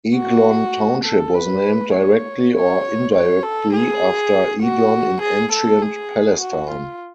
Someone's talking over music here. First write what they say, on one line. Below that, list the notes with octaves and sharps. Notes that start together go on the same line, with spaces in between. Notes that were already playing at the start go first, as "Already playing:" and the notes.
Eglon Township was named directly, or indirectly, after Eglon in ancient Palestine.
F#4
A4
B4
C#5
C#5
C#5
A4
G#4
F#4
G#4
A4
G#4
F#4
F4